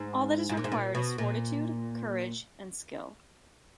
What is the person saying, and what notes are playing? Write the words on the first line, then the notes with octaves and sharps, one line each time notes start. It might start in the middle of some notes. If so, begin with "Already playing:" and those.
All that is required is fortitude, courage and skill.
Already playing: G#2
G#2
A#2
G#2
A#2
B2
A#2